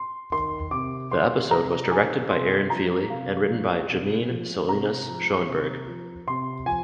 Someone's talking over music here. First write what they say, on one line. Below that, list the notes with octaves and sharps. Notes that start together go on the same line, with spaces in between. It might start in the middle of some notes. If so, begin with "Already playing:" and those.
The episode was directed by Erin Feeley and written by Janine Salinas Schoenberg.
Already playing: C6
D#3 C6
C3 D6
D#3 C6
C3 A#5
D#3 G#5
C3 C6
F3 A#5
C3 F5
F3
C3
F3
C3 A#5
F3
C3
F3
C3 C6
F3 G#5